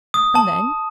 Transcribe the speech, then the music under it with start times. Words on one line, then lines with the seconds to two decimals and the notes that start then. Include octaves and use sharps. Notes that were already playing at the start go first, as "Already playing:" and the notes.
"And then?"
0.14 D#6
0.35 A5